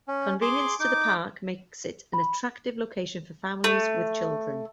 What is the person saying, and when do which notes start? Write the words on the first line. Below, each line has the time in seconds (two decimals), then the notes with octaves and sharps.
Convenience to the park makes it an attractive location for families with children.
0.08 C#4
0.41 G#4 C6 D6
0.80 D#4 D6
2.14 B5
3.64 A3